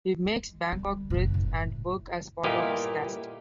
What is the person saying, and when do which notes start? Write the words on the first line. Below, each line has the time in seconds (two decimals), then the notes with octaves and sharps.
He makes Bangkok breathe and work as part of his cast.
0.24 G#3
0.72 D3 G3
1.10 F#1 A#2
1.34 A2
2.44 G1 A#2 E4 G4 D#5 F5